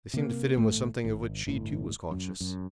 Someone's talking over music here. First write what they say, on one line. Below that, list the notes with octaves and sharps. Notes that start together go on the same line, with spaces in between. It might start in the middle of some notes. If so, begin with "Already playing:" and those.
They seemed to fit in with something of which she too was conscious.
C3 A#3
G#1 A2 A3
G#1
G1 A2
F#2
F#2